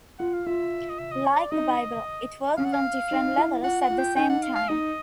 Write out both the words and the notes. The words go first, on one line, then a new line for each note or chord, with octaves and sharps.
Like the Bible, it worked on different levels at the same time.
F4 F#5
F5
F4 E5
D#5
E5
D#5
C#5
D5
D#4 D#5
C#4 F5
F#5
F5
D#4
E4
F4 F#5
F#5
F4
G5
D#4 G5
F#5
F5
F5
D#4 D#5